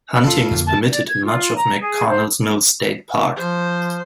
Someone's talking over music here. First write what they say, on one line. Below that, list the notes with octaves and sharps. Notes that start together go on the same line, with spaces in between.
Hunting is permitted in much of McConnells Mill State Park.
F4 A4
F2 D3 A#3
A5
D5
G#6
F4
A#5
G#4
C5
F3 C5